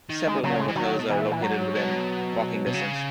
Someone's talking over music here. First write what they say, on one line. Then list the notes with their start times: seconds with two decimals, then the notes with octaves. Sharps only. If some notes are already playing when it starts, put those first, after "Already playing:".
Several more hotels are located within walking distance.
0.10 D#3
0.27 G#3
0.43 C#3 F#3
0.59 G#3
0.68 E3
0.76 D#3 F#3
0.99 B2
1.10 E3
1.20 A#2
1.31 E3
1.42 G#2 F#3
1.75 B2
2.67 B2
2.74 C#3